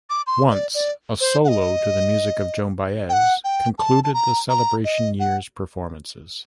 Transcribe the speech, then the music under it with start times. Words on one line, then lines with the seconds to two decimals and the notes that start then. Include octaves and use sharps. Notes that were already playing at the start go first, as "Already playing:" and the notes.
"Once", a solo to the music of Joan Baez, concluded the celebration year's performances.
0.10 D6
0.27 C6
0.50 D5
0.74 D5
1.20 C5
1.44 F#5
1.48 D#5
3.09 G5
3.13 F#5
3.44 G5
3.78 A5
4.04 A5
4.14 A#5
4.49 A#5
4.84 D#5
5.20 F#5